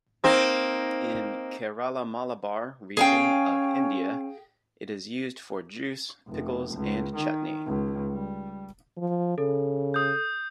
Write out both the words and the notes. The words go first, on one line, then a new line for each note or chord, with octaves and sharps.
In Kerala Malabar region of India, it is used for juice, pickles and chutney.
A#3 C4 D#4
C#4 G#4 F5 G5
F1
C#2
D#3
C#2
G3
F3
C#3 A4
D#6 G6